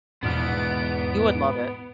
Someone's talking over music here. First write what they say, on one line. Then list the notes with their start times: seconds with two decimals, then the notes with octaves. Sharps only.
You would love it.
0.23 A#1 E2 G#2 B2 B3 F6 D7